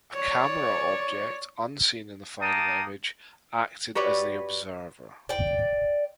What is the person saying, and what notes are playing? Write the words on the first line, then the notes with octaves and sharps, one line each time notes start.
A "camera object" unseen in the final image acted as the observer.
C#5 D5
A#3 D#4 G5 A5 D#6
F#4 G4 B4 C#5 D5
D5 G5